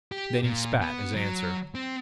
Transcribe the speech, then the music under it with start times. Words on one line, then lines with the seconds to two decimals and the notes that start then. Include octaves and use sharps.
Then he spat, as answer.
0.12 G4
0.43 A#2
0.82 B3
1.15 F#3
1.75 C4